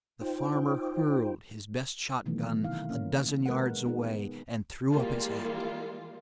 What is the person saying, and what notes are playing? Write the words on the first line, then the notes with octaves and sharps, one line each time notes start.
The farmer hurled his best shotgun a dozen yards away and threw up his hat.
D#4 F4 C5 G5
B2 D#3 E3 F#3 A3 B3
C3 D#3 E4 F5
A#3 C#4
B2 G#3 A#4 B4 F#5
B3 D#4 G#4
E3 G3 G#3 A#3 F4